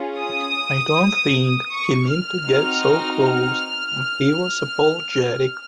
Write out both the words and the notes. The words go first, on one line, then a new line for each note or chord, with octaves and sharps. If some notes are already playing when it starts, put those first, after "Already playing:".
I don't think he meant to get so close and he was apologetic.
Already playing: C#4 F4 G#4
D#6
C#6
F6
C4 D#4 F#4
F6